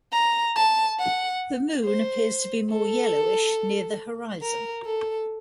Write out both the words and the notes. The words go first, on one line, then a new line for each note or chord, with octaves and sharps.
The moon appears to be more yellowish near the horizon.
A#5
A5
F#5
C5
A4
A#4
A4